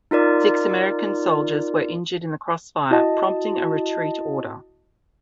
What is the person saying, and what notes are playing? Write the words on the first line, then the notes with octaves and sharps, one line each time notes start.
Six American soldiers were injured in the crossfire, prompting a retreat order.
D#4 F4 A#4 D5
E4 F#4 D#5 A5